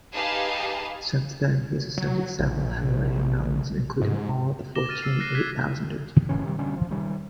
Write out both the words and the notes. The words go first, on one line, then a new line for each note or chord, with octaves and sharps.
Since then he ascended several Himalayan mountains including all the fourteen eight-thousanders.
D#4 G4 G#4 B4 F5 A5
F#3
A#1
G#2
D6 A#6 E7 G7
F6 A6 D#7
E6 C7
F6 F#6 A#6 C7 D#7
F#6 G#6 A#6 B6
F#1 A2 E3 C#4
C3 D#3 G3
B2 D3 G3 C#4
F3
C3 D#3 G3